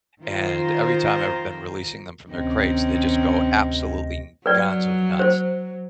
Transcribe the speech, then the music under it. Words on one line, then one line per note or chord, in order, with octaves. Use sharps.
and, every time I've been releasing them from their crates, they just go absolutely n gonzo-nuts,
D#3 F4 A#4 C5
D2 C3 D#3 C4 C#4 D#5
F#3 B4 D5
C5